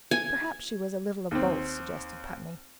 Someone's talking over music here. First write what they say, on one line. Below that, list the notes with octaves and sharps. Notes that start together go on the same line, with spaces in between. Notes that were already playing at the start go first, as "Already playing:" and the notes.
"Perhaps she was a little of both," suggested Putney.
G#5
D#2 C4